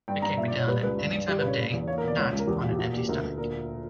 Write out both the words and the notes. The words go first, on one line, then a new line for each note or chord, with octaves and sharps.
It can be done at any time of day, not on an empty stomach.
G2 G5
G2 A#5
A#2 E5
D5
A#2 C#5
G3 B4
C#2 B4
G2
G2
G3 G4
B4
C#3 C#5
A#3
E2
A#3 C#5
A#4
B2 D5
C#2 C#5
C#2
A#4
E2 G4
A#3 F#4
G4
A#3 F#4
A#2 G4
D2 A#4
D2
A#2 A#4
A#2